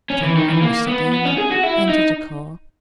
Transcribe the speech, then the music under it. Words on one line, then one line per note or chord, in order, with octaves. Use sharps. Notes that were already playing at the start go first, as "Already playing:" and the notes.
Tom and Mr. Damon entered the car.
C#4
E3
D#3
E3
A#3
B3
B3
C#4
G#4
F#4
E4
D#4